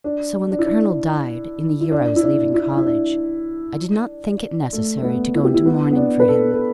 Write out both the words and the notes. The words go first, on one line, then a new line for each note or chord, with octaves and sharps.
So, when the Colonel died, in the year I was leaving college, I did not think it necessary to go into mourning for him.
D4
D4
E4
D4
E4
D4
E4
D4
E4
E4
D4
A3
A3
B3
E4
G4
E4
B3
B3
D4
B4
A4
A4